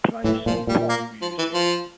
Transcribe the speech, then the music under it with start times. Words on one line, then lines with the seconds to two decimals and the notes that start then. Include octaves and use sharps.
Play some pop music.
0.24 A2 E3
0.46 A#2 F3
0.67 A#2 G3
0.89 A#3
1.22 F3
1.38 E3
1.54 F3